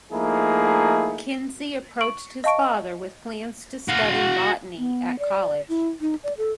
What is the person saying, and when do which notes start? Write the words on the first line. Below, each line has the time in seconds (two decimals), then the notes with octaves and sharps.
Kinsey approached his father with plans to study botany at college.
0.12 F3 A3 A#3 D#4 E4 G#4
2.01 C#6 D7 F#7
2.44 D#5 F5 A5 C#6 D7
3.88 F#4 F5
4.78 B3
5.19 D5
5.69 E4
6.01 D#4
6.24 D5
6.38 A4